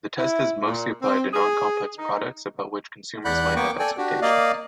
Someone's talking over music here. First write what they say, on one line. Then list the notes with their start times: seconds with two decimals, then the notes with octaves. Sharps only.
The test is mostly applied to non-complex products about which consumers might have expectations.
0.17 E4
0.64 A#2
1.01 C4
1.33 G#4
1.97 D#4
3.25 E2 D5 F#5 B5 F#6 G6
3.56 A#3 B3 G5 C#6 D6
3.79 A4 D5 G5 G#5
3.98 D4 F#4 G4
4.22 A#3 D5 D#5 F5